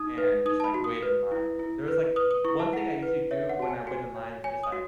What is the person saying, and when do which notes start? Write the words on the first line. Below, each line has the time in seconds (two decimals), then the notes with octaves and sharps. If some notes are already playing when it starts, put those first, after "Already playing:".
and just, like, wait in line, and there was, like o one thing I usually do when I wait in line is just, like
Already playing: D#4 D#6
0.18 B4
0.46 D#4 D#6
0.60 A5
0.64 B5
0.74 F#4
0.84 D#6
1.03 B4
1.32 E4
1.59 E4
1.88 B4
2.16 B4 D#6
2.31 D#6
2.45 E4 C#6
2.60 A5
2.73 E4 F#5
3.03 B4
3.31 C#5 E5
3.49 F#5
3.59 F#4 A5
3.68 G#5
3.87 F#4 G#5
4.16 C#5
4.44 C#5 G#5
4.63 D#6
4.72 F#4